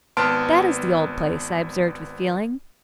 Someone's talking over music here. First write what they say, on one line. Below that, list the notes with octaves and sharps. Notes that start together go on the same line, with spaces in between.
'That is the old place,' I observed with feeling.
G#1 B3 A5 C6 F6 D7